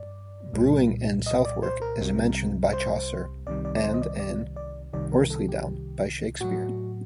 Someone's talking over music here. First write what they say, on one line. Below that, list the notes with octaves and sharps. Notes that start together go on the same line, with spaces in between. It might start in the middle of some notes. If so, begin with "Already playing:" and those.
Brewing in Southwark is mentioned by Chaucer, and in Horselydown by Shakespeare.
Already playing: G2 D5
C2 A#2 G3
D#5
D5
C5
A#4
C2 C3 G3
C5
C2 C3 D#3 G3 D5
D5
D5
C5
D#5
D5
D5
D5
C2 C3 D#3 G3 D5
A#4
A4
G4
A2 F#3 F#4